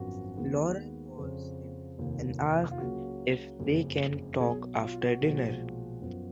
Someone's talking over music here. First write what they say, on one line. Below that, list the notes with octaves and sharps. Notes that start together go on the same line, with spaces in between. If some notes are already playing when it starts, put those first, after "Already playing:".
Laura calls him and asks if they can talk after dinner.
Already playing: G#1 F#2 F3 B3 F#4
D#2 D#3 G#3 B3
F2 C#3 F3
F1 D#2 D#3
F4
C#2 C#3 F#3 A#3 C#4 F#4
F#1 F2 C#3
B1 B2 F#3 G#4
F4
F#4
B1 A#2 F3 G#3
F#2 F3 B3